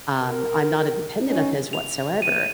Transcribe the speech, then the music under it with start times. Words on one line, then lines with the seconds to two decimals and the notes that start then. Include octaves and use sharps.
um, I'm not a dependent of his whatsoever,
0.22 A#4
1.28 F3 C#4 D#4
1.73 F7
2.22 D#7